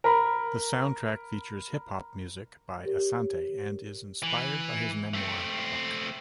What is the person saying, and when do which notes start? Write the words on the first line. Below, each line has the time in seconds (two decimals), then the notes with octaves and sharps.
The Soundtrack features hip-hop music by Asante and is inspired by his memoir "Buck".
0.04 A#4 A#5 B5
2.86 G4 A#4 C#5
4.23 E3
5.14 A3 C4